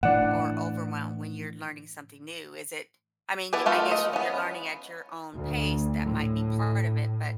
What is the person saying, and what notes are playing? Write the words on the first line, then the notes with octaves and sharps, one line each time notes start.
or overwhelm when you're learning something new? Is it I mean, y I guess if you're learning at your own pace, that might be part of it, but
A2 E3 D4 D5 F#5
E3 B3 E4 B4 D5
D#3 A3 F4 F#4
D#5
B3 C#4
D2
A2